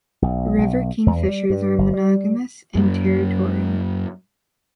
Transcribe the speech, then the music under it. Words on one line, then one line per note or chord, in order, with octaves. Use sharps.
River kingfishers are monogamous and territorial.
B1
B1
E2
G3
G2
G1
G3
F#2 A#3